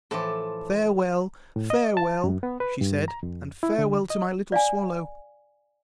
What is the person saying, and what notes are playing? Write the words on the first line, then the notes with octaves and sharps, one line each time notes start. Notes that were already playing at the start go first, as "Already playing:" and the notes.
'Farewell, farewell,' she said 'and farewell to my little swallow.
A2 E3 F3 A4 A5 D6
A2
D#5
A5
F#2
B3
B4
G2
A#5
F2
E4
D3
D#5
D5 F5 G#5